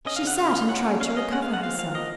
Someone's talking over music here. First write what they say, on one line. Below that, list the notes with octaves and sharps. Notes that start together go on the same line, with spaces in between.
She sat, and tried to recover herself.
C#4 D#5
F5
C#3 F#5
C#3 F5
C#3
C#4 F#5
C#4
C#4 F5
C#4 D#5
G#3 F#5
F5
G#3
F#5
C4 F5
F3 F5
A#3 D#5